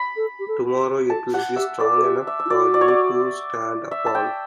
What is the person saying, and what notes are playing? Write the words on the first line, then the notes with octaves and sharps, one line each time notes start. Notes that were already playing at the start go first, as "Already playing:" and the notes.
Tomorrow it will be strong enough for you to stand upon.
Already playing: B5
A4
G4
A4
F#4
G4
A4 A5
G4 F#5
G4 E5
A4 D5
A4
G4 E5
E5
E5
E4
F#4 D5
D5
C#5
D5
E5
A5
G5